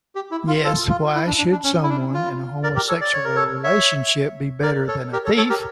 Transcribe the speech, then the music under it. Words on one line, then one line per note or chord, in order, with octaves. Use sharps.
Yes, why should someone in a homosexual relationship be better than a thief?
G4
E4
F4
F4 A4
F4
E4
D4
D4
D4
C#4
E4
D4
F4
A#4 D5
G4 A#4
A4 C#5
D5
C#5
A#4
A4 C#5
C#5 E5
A#4 D5
A4 C#5
G4 A#4
A4 C#5
A4 C#5
G4 A#4